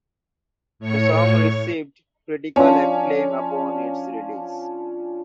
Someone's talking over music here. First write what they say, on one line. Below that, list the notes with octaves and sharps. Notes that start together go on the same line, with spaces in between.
The song received critical acclaim upon its release.
A2 C#5 C#6
F3 C#4 D4